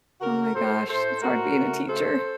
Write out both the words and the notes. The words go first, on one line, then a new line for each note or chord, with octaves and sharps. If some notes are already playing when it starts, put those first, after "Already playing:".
Oh my gosh, it's hard being a teacher.
C#3 A3 F#4 A#4
A2 A3 A4 C5
A2 A3 A4 C5
A2 A3 F#4 A#4
C#3 A3
C#3 A3 A4 C5